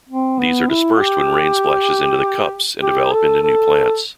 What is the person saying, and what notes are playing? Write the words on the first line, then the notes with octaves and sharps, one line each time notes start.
These are dispersed when rain splashes into the cups and develop into new plants.
C4
B3
E4
G4
G4
A4
A4